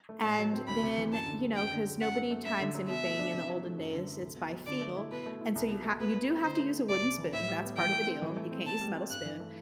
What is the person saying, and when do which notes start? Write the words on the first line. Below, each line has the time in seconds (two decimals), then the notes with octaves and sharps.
And then, you know, 'cause nobody times anything in the olden days, it's by feel, and so you ha you do have to use a wooden spoon, that's part of the deal, you can't use a metal spoon.
0.09 A3
0.23 A2 A5
0.39 F#3
0.53 C4
0.68 D2 B5
0.83 C3
0.98 E3
1.12 F#2 A5
1.26 D3
1.41 G3
1.56 F#2 G5
1.72 D3
1.85 F#3
2.01 F#2 F#5
2.15 F#3
2.31 A3
2.45 F#2 E5
2.60 D3
2.75 F#3
2.89 B2 E5
3.04 A3
3.19 D4
3.34 C3
3.49 F#3
3.63 A3
3.78 F#2
3.93 D3
4.07 A3
4.22 C2
4.37 B2
4.53 F#3
4.66 D3 D5
4.81 A3
4.97 E4
5.11 B2 B4
5.26 A3
5.41 E4
5.56 C2
5.70 B2
5.84 A3
6.00 B2 B4
6.15 A3
6.30 C4
6.44 D3 C5
6.59 A3
6.74 C4
6.89 C2 D5
7.03 C3
7.18 E3
7.33 A2 E5
7.48 G3
7.63 B3
7.77 E3 G5
7.92 A3
8.07 C4
8.22 E3
8.37 A3
8.51 C4
8.66 B2 A5
8.81 G3
8.96 C4
9.10 G2 F#6
9.25 E3
9.40 A3